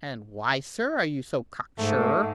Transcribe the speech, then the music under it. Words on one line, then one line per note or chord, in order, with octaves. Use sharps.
"And why, sir, are you so cock sure?"
G#2 A3